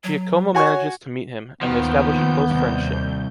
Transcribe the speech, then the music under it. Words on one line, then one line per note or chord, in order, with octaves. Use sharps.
Giacomo manages to meet him, and they establish a close friendship.
F#3
F#4 C#5 G#5 C#6
D#2 D#3 F3 B3 G6
C2 G2